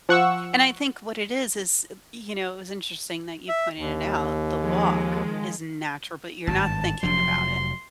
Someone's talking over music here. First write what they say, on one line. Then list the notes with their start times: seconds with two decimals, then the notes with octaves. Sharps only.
And I think what it is is, y you know, it was interesting that you pointed it out. The walk is natural, but you're not thinking about it.
0.09 F3 F#5 C#6 E6
3.49 E5
3.77 D#2
4.59 D#3 F3 G#3
6.47 G#1 G2 A5
7.03 F1 F3 F#3 C6